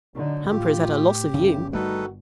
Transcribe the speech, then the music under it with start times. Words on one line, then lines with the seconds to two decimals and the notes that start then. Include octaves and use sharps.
Hamper has had a loss of you.
0.16 D3 F#3 D#4
0.49 A2 F4 G4
1.34 G1 A2 C#3
1.73 D#3 G3 A3 D#4 F#4 A4 B4